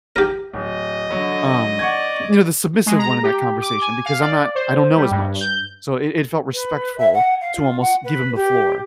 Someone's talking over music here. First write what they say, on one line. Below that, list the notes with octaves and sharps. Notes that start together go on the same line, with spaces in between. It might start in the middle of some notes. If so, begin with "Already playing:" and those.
um, you know, the submissive one in that conversation, because I'm not I don't know as much, so it it felt respectful to, almost, give him the floor.
G4 A#4
D1 D#5
D3 F#3
D5 F#5 C#6 G#6
G#3
A#5
G4
D6
G#5
F5
D5
C5
G3
G2
G6
B4
E5
F#5
F5
F4
F#5
B4
G4